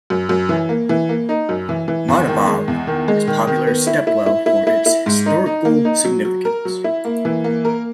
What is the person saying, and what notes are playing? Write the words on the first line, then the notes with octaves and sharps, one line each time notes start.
Madhavav is popular stepwell for its historical significance.
F#2
F#2
E3
A#3
E3
A#3
D#4
F#2
E3
E3
E2
D#3
G#3
E2
D#3
G#3
D#3
D#3
B3
E4
E4
E4
E4
E4
E4
G#2
D#4
D#4
A#3
D#4
F#3
F#3
A#4
F#3
E4
A#3
E3
A#3
A#4